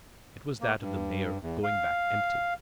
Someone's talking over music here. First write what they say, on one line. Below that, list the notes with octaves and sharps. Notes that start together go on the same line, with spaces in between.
It was that of the mayor, going back empty.
A#3
G2
E2
F5